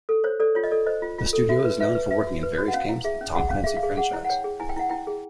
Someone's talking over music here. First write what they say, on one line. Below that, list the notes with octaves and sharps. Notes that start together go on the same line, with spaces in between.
The studio is known for working in various games in the "Tom Clancy" franchise.
A4
C5 C#5
A4 D5
F4 C#5
D#5
A4 D5
C5 D#5
F4
F4
A4
F#4 E5
B4
B4 E5
B4
B4 E5
F#4
B4
F#4
F#5
C#4 F5
E4
G#4 E5
C#4
G#4 F#5
C#4 F5
G#4 E5
F5
G#4
G#4 F#5
E4
F#5
C#5 G5
G#4
E4 G#5
G5
E4 F#5
E4 G5
G#4